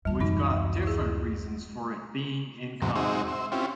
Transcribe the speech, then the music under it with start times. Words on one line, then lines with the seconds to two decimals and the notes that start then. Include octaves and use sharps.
We’ve got different reasons for it being in common.
0.05 E2 D#3 G3 A5
0.21 D1 F#2 E3 G#3 D#4 F#4
0.83 E4 G#4
2.82 E2 G#2 C3 F#3
2.95 G#3 C4 D#4 F#4 E5
3.28 C5 E5
3.52 C4 C#4 E4 F4 G4